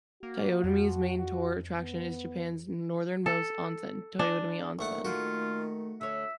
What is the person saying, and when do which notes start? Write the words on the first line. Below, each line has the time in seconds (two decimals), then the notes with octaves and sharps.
Toyotomi's main tourist attraction is Japan's northernmost onsen, Toyotomi Onsen.
0.23 A#3 F#4
0.64 F2
1.18 F#4
1.77 B3
3.26 A4
4.19 D4
4.79 A#1 D#3 A3 F#5
5.05 A3 A#3 F4 F#4
6.01 D3 C#5 E5